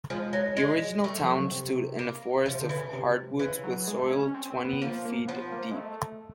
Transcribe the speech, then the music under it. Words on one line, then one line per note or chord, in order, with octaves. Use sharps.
The original town stood in a forest of hardwoods with soil twenty feet deep.
F3 G#3
F#3
G#3
G3 A3
F3
F#3
C3
A#3
C3 F3
D3
E3
C#3
C3
C#3 E3
F#3
G#3
A3
C#4
C#4
C4
C4
B3
F3 A#3
A#3
F3 B3
A#3
G#3
A3